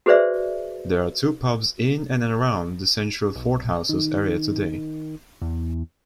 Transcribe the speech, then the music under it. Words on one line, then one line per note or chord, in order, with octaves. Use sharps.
There are two pubs in and around the central Fordhouses area today.
F#4 G#4 B4 C5 D5 E5
B1
D#3
E2